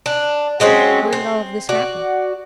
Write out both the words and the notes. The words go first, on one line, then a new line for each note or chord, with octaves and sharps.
"Where did all of this happen?"
D4
F#3 G#3 C4 C#4
C4
F#4 D5